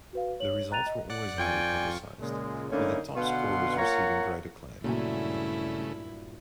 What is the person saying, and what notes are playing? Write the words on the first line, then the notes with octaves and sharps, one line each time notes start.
The results were always highly publicised, with the top scorers receiving great acclaim.
F#4 B4 F5
C#5 F#7
G5 A#5 F#6 A6 D#7 F7
D#5
D5 F#5 F#6
F2 F4 D5 G5 G#5 C#6
A#2 C#3 G#3
D3 A3 A#3 C#4 D#4 E4
B2 D3 B3 F5 F#5 C6
A#3 F4 C#5 F5 F#5 A#5
G2 A#2 C#3 F#3 A3 E4 G#5